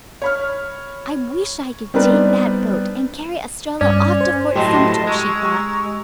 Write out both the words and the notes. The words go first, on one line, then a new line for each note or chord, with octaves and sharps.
"I wish I could take that boat and carry Estralla off to Fort Sumter," she thought.
C#5 B5 F6
G3 B3 C4 D4 D#4 B4
G2 C#4 D5
C5
A2 F#3 G4 D#5 A5 C6
G#3 A#5 C#6 E6